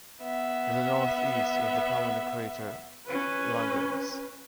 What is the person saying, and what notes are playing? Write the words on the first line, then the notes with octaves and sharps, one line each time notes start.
To the northeast is the prominent crater Langrenus.
B3 E5
C#4 B4